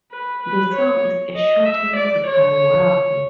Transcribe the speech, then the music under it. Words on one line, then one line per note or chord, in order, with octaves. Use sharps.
The song is a short musical warble.
B4
B4
C#5
D#5
E5
D5
C#5